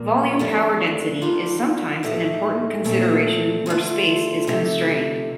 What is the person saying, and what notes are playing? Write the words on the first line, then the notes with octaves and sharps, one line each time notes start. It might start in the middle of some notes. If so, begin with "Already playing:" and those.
Volume power density is sometimes an important consideration where space is constrained.
Already playing: A#2 F3 A#3
F2 D#3 A3 D4 G4
D#3 G3 D4 F4
A2 A3 D#4 G4
A#2 F3 A3 C4
D3 A3 D4 F4
C3 F3 A3 D#4 G4